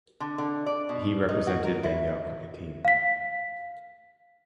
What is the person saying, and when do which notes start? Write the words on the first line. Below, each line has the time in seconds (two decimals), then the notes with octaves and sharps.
He represented Bengal cricket team.
0.20 D3
0.38 D3
0.66 D5
0.89 B2
1.29 D#4
1.47 F#4
1.65 A#4
1.84 E4
2.85 F5 B6